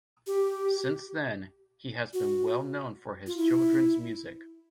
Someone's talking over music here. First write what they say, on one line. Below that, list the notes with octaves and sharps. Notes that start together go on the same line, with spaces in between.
Since then, he has been well known for his children's music.
G4
F#4
F4
E4